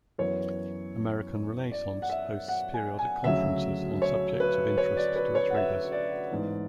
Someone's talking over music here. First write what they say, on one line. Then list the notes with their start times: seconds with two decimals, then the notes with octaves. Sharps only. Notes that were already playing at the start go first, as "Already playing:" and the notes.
American Renaissance hosts periodic conferences on subjects of interest to its readers.
0.18 F#2 E3 B3 C#5
1.72 D5
2.02 F#5
2.10 E5
2.48 F#5
2.74 G#5
2.99 G#5
3.24 D2 C#3 F#3 E5
4.02 C#5
4.40 B4
4.78 C#5
4.97 D5
5.16 B4
5.35 C#5
5.50 F#5
5.54 E5
5.92 D5
6.31 A1 G#2 E3 B3